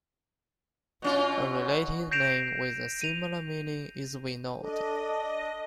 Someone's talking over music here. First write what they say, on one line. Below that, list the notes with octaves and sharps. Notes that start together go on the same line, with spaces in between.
A related name with a similar meaning is Vinod.
B2 C#4 F4
G6 A#6 C7 D7 E7 F7
D#7 F7
D4 A4 D#5